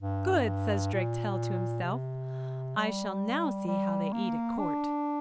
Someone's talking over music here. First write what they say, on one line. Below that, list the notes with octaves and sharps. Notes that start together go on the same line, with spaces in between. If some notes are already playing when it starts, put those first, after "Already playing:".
'Good!' says Drakestail to himself, 'I shall now see how they eat at court.'
G2
A#2
C3
G3
G3
A#3
D4